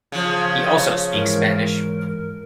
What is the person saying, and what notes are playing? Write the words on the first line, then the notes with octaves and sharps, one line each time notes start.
He also speaks Spanish.
C#3 F3
G#2 E3 A#4